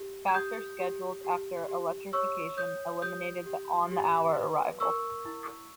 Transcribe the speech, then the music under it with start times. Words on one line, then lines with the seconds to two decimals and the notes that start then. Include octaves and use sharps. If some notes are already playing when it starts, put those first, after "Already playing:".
Faster schedules after electrification eliminated the on-the-hour arrival.
Already playing: G4
0.28 G#6
0.34 G4 D#6 G6
0.79 G4
1.24 G4
1.68 G4
2.13 C#5 C#6 E6
2.57 C#5 D#6 G6
3.02 G4 D#6 G6
3.46 G4
3.91 G4
4.36 B4
4.80 A#4 C#6 E6
5.25 E4